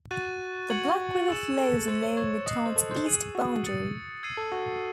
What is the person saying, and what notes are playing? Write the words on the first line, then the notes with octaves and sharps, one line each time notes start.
The Black River flows along the town's east boundary.
F#4 C#6 F#6 A6 D#7
F#4 C#6 G#6 C#7 F#7
F#4
G#4 E6 A6 C#7 E7
A4
C5 E6 G#6 C#7
C#5
C#5
D#5 D#6 F#6 C7 F#7
C5
A4
C5
G#4 G#6 D#7 F#7
F#4
D#6 A6 C#7
E6 G#6 C7 D#7
A4
F#4